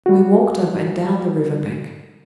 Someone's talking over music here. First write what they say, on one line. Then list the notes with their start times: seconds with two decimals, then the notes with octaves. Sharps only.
We walked up and down the river-bank.
0.06 G3 F#4